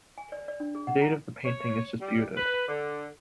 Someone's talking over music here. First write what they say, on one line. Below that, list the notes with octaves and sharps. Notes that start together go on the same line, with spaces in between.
The date of the painting is disputed.
G#5
D5
D5
D4
G#4
F#5
A#5
C#5
G3
B4
D3